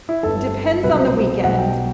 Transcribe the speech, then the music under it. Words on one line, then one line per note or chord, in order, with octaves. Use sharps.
depends on the weekend,
E4
G1 G2 D3 A4
C2 B2 F#3 B4
C5
B1 B2 G3 F#5
G5